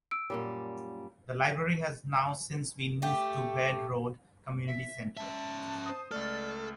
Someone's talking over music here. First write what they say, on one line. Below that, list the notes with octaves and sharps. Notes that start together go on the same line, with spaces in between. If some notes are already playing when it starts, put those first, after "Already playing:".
The library has now since been moved to Baird Road Community Center.
E6 D7
F#2 A#2 G3
A3 G4
E5
C#4 E5 A5
C5 D#6
C#2 A3 A4 D5 F6